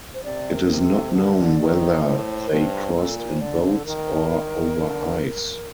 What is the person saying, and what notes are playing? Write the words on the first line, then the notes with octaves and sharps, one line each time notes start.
It is not known whether they crossed in boats or over ice.
C5
C3 D5
A#4
C3
A4
C5
D3 A#4
D5
D#3
A#4
C5
A2
G2
A#2 A4
A#4
C5
D3 D5
C5
A4
D#3 A#4
D#3
D3